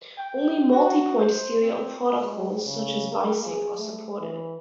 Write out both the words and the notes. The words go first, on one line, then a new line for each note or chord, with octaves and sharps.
Only multipoint serial protocols such as Bisync are supported.
G5
F#4
C5
C4
G#3
C#3
A#3
G#4
A3
E3